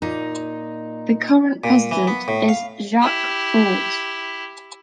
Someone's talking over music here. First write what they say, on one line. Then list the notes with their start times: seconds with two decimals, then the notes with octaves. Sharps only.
The current president is Jacques Forgues.
0.02 A#2 D#4
1.64 A#2
1.91 E3
2.07 B3
2.28 A2
2.49 F5
3.02 E4 G4